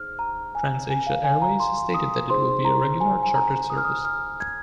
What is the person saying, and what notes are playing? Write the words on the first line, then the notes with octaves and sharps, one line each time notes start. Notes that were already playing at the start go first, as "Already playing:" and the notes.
TransAsia Airways stated that it will be a regular chartered service.
Already playing: D#4 G#4 C5 F6
A#5
G#5
G#5
F5
G#5
A#5
C6
D#6
D#4 G#4 C5 C6
A#5
G#5
G#5
A#5
D#6
F6
D#6
F6
G#6